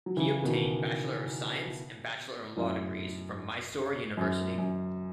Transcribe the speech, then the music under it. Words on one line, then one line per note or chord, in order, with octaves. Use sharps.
He obtained Bachelor of Science and Bachelor of Law degrees from Mysore University.
F#3
C#3 E3
B2 D#3
F#2 A2
F#2
F#2